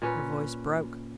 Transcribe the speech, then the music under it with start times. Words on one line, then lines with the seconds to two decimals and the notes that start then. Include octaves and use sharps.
Her voice broke.
0.02 A#2 C#4 B4